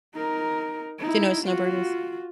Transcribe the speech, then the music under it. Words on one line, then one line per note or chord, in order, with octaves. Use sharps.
Do you know what snowbird is?
D#4 A#4
D#4 E4
F4 F#4